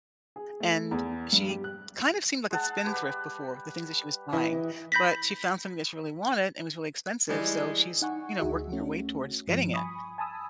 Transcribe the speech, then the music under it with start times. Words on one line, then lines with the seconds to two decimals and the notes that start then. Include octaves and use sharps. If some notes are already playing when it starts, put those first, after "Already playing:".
and, she kind of seemed like a spend thrift before- the things that she was buying- but she found something that she really wanted and was really expensive. So she's, you know, working her way towards getting it.
0.36 G#4
0.60 A3
0.91 E2
1.33 G2
1.49 G4
1.64 F#6
2.51 G#3 F#5 A5
2.85 G3 G4 B4
4.33 E3 D#5
4.92 B5 G6 A#6 B6
7.29 E3 G3 G#3
8.02 D#4 F#5 G#5 C#6
8.39 D2 D#4 F#4 G#4 E5
8.72 A3 C#4 F#4
9.47 G2 F3
9.74 G#5 B5 C#6 D#6
10.18 G#5 A5 B5 D#6 E6